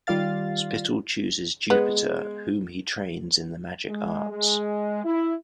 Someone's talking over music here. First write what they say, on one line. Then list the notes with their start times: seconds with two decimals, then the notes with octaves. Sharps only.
Spittle chooses Jupiter, whom he trains in the magic arts.
0.07 D#3 G3 F4 D5 F5 A6
1.70 G#3 B3
3.88 G#3
4.30 G#3
5.04 E4